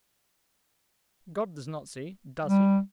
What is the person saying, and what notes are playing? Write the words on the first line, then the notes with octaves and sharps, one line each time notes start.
God does not see, does he?
G3